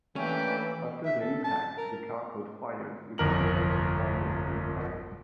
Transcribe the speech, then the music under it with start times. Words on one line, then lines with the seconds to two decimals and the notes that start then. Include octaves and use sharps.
After the impact, the car caught fire, with the unconscious driver still inside.
0.16 E3 A3 A#3 C#4 D4 G4 B4
1.05 E5
1.20 A4
1.44 A5
1.77 A#4
3.18 G1 C2 F2 A#4 F#7